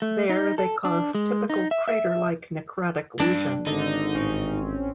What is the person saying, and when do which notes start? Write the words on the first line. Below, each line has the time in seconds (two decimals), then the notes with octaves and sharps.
There, they cause typical crater-like necrotic lesions.
0.02 A3
0.29 D#4
0.58 A4
0.85 D4
1.15 G#3
1.50 D#4
1.71 E5
1.88 E5
3.20 G2 D4
3.66 G#1 D3 D#4
4.14 A1 C4 C#4